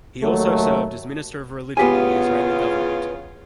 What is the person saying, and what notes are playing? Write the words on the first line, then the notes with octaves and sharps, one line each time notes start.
He also served as Minister of Religion in the Israeli government.
D#2 F#3 A3
E2 C#3 B3 F4 G4 G#5